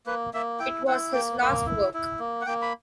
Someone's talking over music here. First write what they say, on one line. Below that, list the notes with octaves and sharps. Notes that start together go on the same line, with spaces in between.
It was his last work.
A#3 B4
A#3 E5
E4 G5
E4 F#5
A#3 G5
A#3 F#5
E4
E4
A#3
F#5
A#3 G5
B5